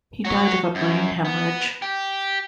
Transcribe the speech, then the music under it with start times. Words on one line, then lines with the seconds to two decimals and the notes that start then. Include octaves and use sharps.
He died of a brain hemorrhage.
0.25 F#4 C#5
0.75 F#2
1.25 B3
1.82 G4